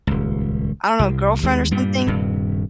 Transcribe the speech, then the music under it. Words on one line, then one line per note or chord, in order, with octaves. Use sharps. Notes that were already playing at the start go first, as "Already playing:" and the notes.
I don't know, girlfriend or something?
D#1 C#2
C2
D#2 G#3
G2 A#2 G3
D#1 G2 C3